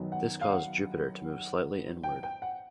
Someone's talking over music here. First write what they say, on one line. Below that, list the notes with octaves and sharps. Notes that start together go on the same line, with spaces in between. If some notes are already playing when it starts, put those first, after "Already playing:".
This caused Jupiter to move slightly inward.
Already playing: F#2 D#3 F#3 B3
F#5
F5
F#5
G5
G5
F#5